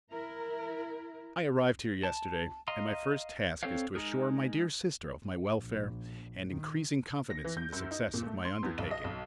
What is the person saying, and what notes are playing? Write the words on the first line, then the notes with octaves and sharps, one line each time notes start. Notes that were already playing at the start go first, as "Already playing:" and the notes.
I arrived here yesterday, and my first task is to assure my dear sister of my welfare and increasing confidence in the success of my undertaking.
E4 A#4
A5
D#5 F5 A#5 C6
C4 A4 C5 C#5 F5
G#3 D#4 G#4 A#4
A#1
D#3
A#6
E3
G6
F#2
D#4
A#2
A3
C6
E2
B1
D#5
B1